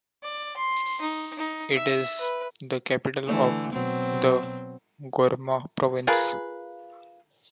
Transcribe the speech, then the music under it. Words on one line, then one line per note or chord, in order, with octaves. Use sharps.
It is the capital of the Gourma province.
D5
C6
D#4
D#4
E5
B4
D3 E3 A3
B2 F#3 C4
F4 G#4 A#4 B4